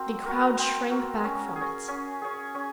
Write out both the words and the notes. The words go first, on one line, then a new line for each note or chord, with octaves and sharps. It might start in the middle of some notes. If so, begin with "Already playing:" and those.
The crowd shrank back from it.
Already playing: C4 F#4 A#4
F#4 A#4
C4
F#4 A#4
C#4
G#4
C#5
C#4
G#4 C#5
C#4